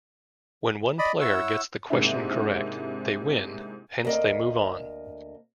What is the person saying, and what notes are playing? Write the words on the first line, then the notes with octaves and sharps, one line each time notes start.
When one player gets the question correct, they win, hence they move on.
D5 D#5 B5
E4 C#5 F#5 E6
G#2 C3 A#3 C4 D4 E4
D2 A#3 D#5